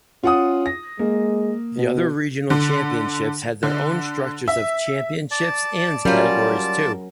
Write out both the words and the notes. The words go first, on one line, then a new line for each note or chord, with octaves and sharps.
The other regional championships had their own structures of championships and categories too.
C#4 F4 F#5 D#6
A#6
G#3 A#3
B2
D3
D3
E5
D5 A5
F#3 G3 C#4 F4 A#4